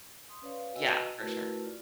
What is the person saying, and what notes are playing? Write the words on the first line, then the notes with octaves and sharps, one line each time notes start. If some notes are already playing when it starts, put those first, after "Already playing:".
Yeah, for sure.
C6 D#6
C#4 B4 C#5 D5 F5
F#4 B4 D#5 G5 G#5 E6
A3 E4 F#4 A#4 B4 A5
F4 D5